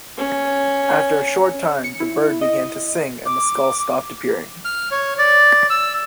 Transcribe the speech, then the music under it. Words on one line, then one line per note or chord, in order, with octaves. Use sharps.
After a short time, the bird began to sing and the skull stopped appearing.
C#4
C#7
E4
D#5
D6
F6
C#5
D5
E6